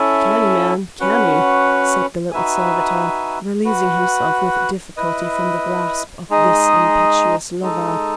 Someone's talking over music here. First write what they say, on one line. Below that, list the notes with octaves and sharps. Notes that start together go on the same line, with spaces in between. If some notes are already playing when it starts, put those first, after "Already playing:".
"Canny, man, canny!" said the little servitor, releasing himself with difficulty from the grasp of this impetuous lover.
Already playing: C#4 E4 A4 E5 G#5
C#4 F#4 B4 F#5
D#4 F#4 B4 E5 G#5
F#4 B4 F#5
E4 B4 D#5
G#3 D#4 G#4 D#5
G#3 D#4 A4